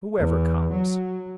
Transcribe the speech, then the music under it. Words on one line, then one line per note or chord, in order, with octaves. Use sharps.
Whoever comes.
E2
F#3